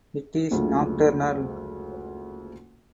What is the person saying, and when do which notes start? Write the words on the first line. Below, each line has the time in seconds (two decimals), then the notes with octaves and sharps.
It is nocturnal.
0.51 F#1 D2 G#3 F4